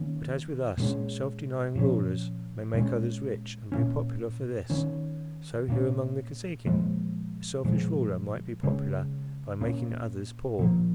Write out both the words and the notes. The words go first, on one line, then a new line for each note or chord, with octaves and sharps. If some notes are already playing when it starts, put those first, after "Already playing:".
But as with us self-denying rulers may make others rich and be popular for this, so here among the Kosekin a selfish ruler might be popular by making others poor.
Already playing: D#3 A#3 C#4
A#2 G#3 C#4
A#2 F3 C#4
A#2 G#3 C#4
A#2 A#3 C#4
D#3 C#4
A#2 A#3 C#4
A#2 F3 G#3
A#2 F3 G#3
C#3 G#3 C#4
A#2 A#3 C#4
A#2 F3 A#3